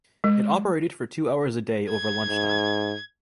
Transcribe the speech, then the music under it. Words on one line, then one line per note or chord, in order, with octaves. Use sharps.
It operated for two hours a day over lunchtime.
G#3
G#6
G#2